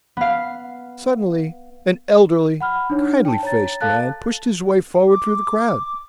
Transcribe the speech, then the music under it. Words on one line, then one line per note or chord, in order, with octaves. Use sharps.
Suddenly an elderly, kindly-faced man pushed his way forward through the crowd.
B3 F5
F#5 B5 F6
D4 D#4 C#5
G5 A5
C#5 A#5 A6
A4 F5 A5 F#6 A6
D6